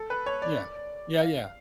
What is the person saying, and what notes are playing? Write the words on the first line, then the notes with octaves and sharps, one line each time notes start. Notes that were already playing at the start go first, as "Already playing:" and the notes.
Yeah. Yeah, yeah.
Already playing: A4
B4
C#5
D5
F5